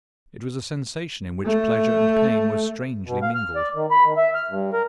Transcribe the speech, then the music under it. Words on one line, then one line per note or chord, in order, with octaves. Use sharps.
It was a sensation in which pleasure and pain were strangely mingled.
A3
B2
F5
F6
D5
D#3
B5
D#3
E5
F6
G2
A#4